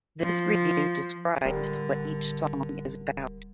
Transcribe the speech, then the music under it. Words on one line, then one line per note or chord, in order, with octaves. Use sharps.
This review describes what each song is about.
F3
D1 D3 G3 A#4